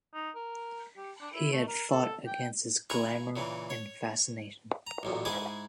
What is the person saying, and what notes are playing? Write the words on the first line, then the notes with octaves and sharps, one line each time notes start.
He had fought against his glamour and fascination.
D#4
A#4
G4
D4
E4
A3
A#4
A4
G5
E4 G#5 A#5 C#6
A#2 C#3 E3
C#5
A#5
A1 F#2 A#2
G#2 E4 G#4 G#5 D6 D#6